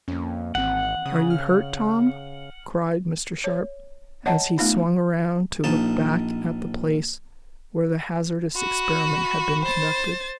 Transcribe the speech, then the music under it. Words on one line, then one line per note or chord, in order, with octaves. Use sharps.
"Are you hurt, Tom?" cried Mr. Sharp, as he swung around to look back at the place where the hazardous experiment had been conducted.
F2 A#3 C#4
G#1 D#3 E3 C4 F#5
C#3 D#6
F6
C#5
C#5 D#5 F#5 A5 A#5
A3 B3 D#4 F4
A#1 D#4 A5
F#4 B5
C5 A6